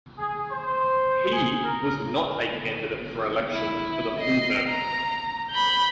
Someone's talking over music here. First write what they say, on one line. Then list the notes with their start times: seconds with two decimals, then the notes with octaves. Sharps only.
He was not a candidate for election for the full term.
0.18 G#4
0.51 C5
1.32 G#4
1.63 A#4
3.52 E4
4.19 D#5 C7
4.68 A#5
5.51 B5 G6